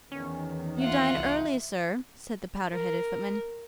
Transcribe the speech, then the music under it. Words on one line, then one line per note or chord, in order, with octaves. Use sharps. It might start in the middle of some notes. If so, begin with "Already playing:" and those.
'You dine early, sir,' said the powdered-headed footman.
E2 D#3 C#4
F4 E5 F#5
C2
A#4